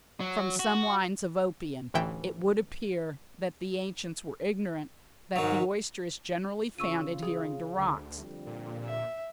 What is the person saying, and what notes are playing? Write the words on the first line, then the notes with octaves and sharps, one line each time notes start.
From some lines of Oppian, it would appear that the ancients were ignorant that the oyster is generally found adhering to rocks.
F#3
F#4
A1 D2 E3 E5 G5 G6
G#2 D#3 F#3
C#3 F4 C#6 E6 D#7
G#4
D2
F2 D3 G3
A#2
E5